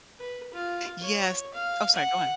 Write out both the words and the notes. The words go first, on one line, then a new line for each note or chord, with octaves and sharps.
Yes Oh, sorry. Go on.
B4
F4
C#5
F5
F#5